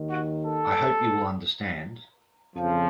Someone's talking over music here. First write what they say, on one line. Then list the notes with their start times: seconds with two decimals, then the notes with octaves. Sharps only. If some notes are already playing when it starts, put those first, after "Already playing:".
I hope you will understand.
Already playing: D#2 D#3
0.08 F#4
0.44 A4
2.54 F2 C#3 F3